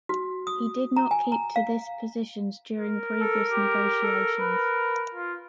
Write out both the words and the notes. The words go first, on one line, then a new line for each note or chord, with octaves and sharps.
He did not keep to this positions during previous negotiations.
F#4
D#6
A#5
G#5
A#5
F5
A#4
A4
G4
A4
B4
F4